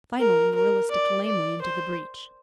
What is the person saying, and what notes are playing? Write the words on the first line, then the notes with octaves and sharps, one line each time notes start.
Finally Marilla stepped lamely into the breach.
A#4
A#4
D5
D5
C5